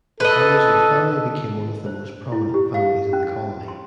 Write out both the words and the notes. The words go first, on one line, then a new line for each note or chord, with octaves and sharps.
The Hamersley family became one of the most prominent families in the colony.
A4 B4 D#5
C5
E4
G4
F5
C#4
C6